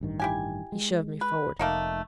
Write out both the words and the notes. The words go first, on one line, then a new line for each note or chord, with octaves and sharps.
He shoved me forward.
A1 G2 D#3
E4 G4 G#5
G#3
B4
F1 A3 A#3 D#4